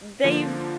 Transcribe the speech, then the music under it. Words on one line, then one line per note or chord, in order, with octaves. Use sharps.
mm, they've
D3 F3 A#3